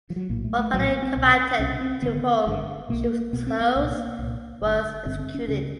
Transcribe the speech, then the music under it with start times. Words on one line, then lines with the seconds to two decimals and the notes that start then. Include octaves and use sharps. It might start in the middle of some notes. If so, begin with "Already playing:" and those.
One fellow combatant to whom she was close was executed.
0.10 F3
0.16 F#3
0.29 A#1 A2 A#3
0.44 A3
0.59 A3
0.73 A#1 A2 F#3
0.88 B3
1.02 C4
1.17 C2 B2
1.59 C2 B2 C#4
1.81 C4
2.02 G#1 G2 D3 B3
2.47 G#1 G2 D3
2.89 B1 B2 A#3
3.33 B1 B2 B3
3.47 C4
3.61 B3
3.76 C2 A#2 A#3
4.19 C2 A#2
4.62 G1 G2 D3
5.06 G1 G2 D3 C4
5.19 C4
5.34 C#4
5.48 D2 C#3 C#4